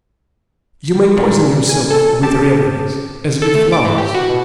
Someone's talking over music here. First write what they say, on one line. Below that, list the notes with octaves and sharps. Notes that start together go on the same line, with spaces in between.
You may poison yourself with reveries, as with flowers.
A#2
G#5
A4
G4 A5
A4
A3
D6
E3
G4
F#4
B2